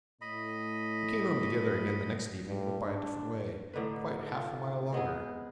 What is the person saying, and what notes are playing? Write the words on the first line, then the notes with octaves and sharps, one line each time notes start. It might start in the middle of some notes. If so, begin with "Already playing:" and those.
We came home together again the next evening, but by a different way, quite half a mile longer.
A2 D#5 B5
G2
D4
A2 D3 D#4 B4
F4
G#3 B3 E4 G#4